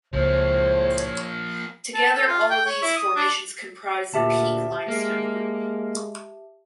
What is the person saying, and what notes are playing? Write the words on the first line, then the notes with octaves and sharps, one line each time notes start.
Together all of these formations comprise the Peak Limestone Group.
C#2 A2 F3 G#3 A#3 C5 C#5
A5
A4
F4
G5
C#5
E4
D#6
D4
D2 A#2 G4 E5 A5
G#3 A#3